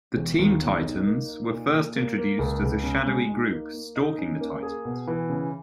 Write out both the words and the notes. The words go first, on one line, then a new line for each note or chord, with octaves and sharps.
The Team Titans were first introduced as a shadowy group stalking the Titans.
E1
D#2
B1
D#4
A#3
D#4
A#2
A#2
A#3
A#3
C#2
C#2
C#3
G#3
D#4
A#3
A#3
D#4
C#4
A#3
G#4
B2
E3
C#3